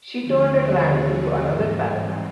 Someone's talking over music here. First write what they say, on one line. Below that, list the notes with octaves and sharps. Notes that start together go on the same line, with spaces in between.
She turned at random to another paragraph.
D#2 D3 F3 A3 C4 F4
F#4
F#4
G#2 E3 G3 C4 D#4
D#4